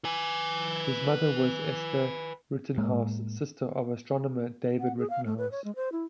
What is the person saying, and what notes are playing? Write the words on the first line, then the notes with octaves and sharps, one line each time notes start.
His mother was Esther Rittenhouse, sister of astronomer David Rittenhouse.
B4 G#5
A2 G#3 A#3
F#5
G#4
F5
A3
B4
C#5
G#3
C5
E4